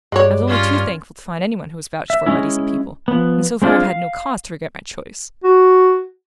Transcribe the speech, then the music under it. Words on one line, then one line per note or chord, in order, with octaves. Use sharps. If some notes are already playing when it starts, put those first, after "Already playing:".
I was only too thankful to find anyone who was vouched for by decent people; and so far I've had no cause to regret my choice.
G2 G#3 F#4 C#5 D5
C#4 F4
E5
G#3 C#4 E4
F3 B3
G#3 C4 D4 F4 G#4
F5
F#4